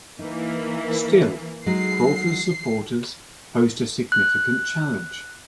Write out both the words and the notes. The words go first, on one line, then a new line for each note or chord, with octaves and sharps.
Still, Crawford's supporters posed a significant challenge.
E3 A#3 D#4
F#3 G#3 D#4 C7
F#6